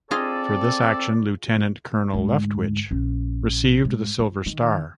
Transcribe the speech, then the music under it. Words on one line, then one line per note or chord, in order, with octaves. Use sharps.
For this action, Lieutenant Colonel Leftwich received the Silver Star.
C4 F4 G#4 A4 D5 D#5
D2 G#2
A#1 C#4
G#2
F3
D#3